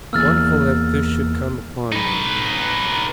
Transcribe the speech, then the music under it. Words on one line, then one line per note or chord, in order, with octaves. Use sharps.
Wonderful that this should come upon me!
E2 A#3 E6 F6 A6
D#4 B4